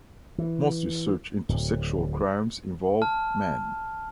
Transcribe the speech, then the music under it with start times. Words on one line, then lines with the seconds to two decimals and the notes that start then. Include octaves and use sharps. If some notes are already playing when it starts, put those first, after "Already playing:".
Most research into sexual crimes involve men.
0.38 E3
1.49 D1
3.02 A5 F6